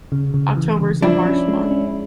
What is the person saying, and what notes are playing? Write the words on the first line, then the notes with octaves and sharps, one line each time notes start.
Octobers a harsh month.
C#3
C#3
E3
C#3
F3 D4 E4
C#4
G#3
C#4